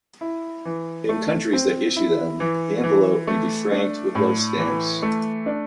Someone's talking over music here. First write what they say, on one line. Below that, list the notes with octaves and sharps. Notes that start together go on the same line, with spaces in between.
In countries that issue them, the envelope may be franked with love stamps.
E4
E3
A3
C4
E4
E3
E3
A3
D4
A2
E3
A3
D4